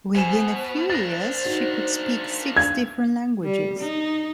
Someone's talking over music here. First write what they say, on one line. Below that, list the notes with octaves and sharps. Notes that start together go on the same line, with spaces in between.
Within a few years she could speak six different languages.
B2 C5 G#5 E7
A#3 D4 A6 A#6
D#4 F#4
F5 G#6
G3
D#4